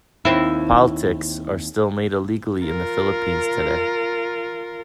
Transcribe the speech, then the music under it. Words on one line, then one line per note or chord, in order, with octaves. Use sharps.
"Paltiks" are still made illegally in the Philippines today.
D#2 C4 E4
F4 A#4